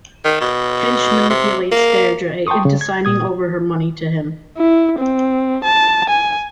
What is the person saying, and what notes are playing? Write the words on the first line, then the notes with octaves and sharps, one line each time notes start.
Finch manipulates Deirdre into signing over her money to him.
D#3
B2
C3
A#3
G5 A5 C6 C#6 D#6
C#3
G#6
A#2 D#6 G#6
E4
C4
A5
G#5